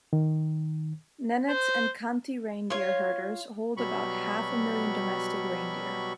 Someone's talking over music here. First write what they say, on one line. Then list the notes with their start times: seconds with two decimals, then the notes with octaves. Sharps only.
Nenets and Khanty reindeer herders hold about half a million domestic reindeer.
0.13 D#3
1.49 C5
2.70 F4 C#5
3.77 B2 F#3 G3 B5 C#6